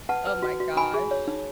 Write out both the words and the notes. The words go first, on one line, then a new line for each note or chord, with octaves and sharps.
oh my gosh.
B4 F#5 A5
B4
F#4
F#4
D#4 G#5 B5
G#4
C#5
D#4